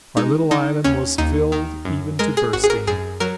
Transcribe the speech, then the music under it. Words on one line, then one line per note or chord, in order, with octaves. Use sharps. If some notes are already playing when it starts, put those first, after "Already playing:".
Our little island was filled even to bursting.
G#3 D#4
D#3 D#4
D#2 C#4
D#2 D#4
D#3
F#2
G#3 A#4
G#4
G#1 F#4
G#4
A#4
F#2 G#4
F#3 A#4